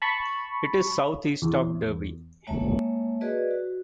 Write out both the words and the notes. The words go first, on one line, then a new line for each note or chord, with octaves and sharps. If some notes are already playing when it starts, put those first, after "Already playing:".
It is south east of Derby.
A5 B5 C#6
E2
G#3 A#3 C#5 E5 A5
F#4 G#4 B4 D5 D#5
F#4